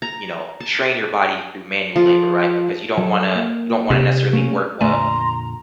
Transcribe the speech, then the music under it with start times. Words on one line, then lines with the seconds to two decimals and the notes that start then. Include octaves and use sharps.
you know, strain your body through manual labor, right, because you don't wanna you don't wanna necessarily work a
0.02 A#5
0.60 A5
1.96 F3
2.97 F#3 A4
3.35 A#3
3.90 C3
4.33 A3 A#3 C#4
4.81 F2 A#2 D3 A3 D5 G#5 A#5 C6